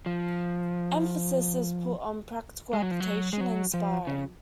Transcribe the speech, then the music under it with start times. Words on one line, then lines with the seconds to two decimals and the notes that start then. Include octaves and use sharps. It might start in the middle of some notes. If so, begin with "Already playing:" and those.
Emphasis is put on practical application and sparring.
0.06 F3
2.73 G#3
2.82 F#3
2.91 F3
3.00 F#3
3.33 G#3
3.41 F#3
3.74 F3
4.07 C#3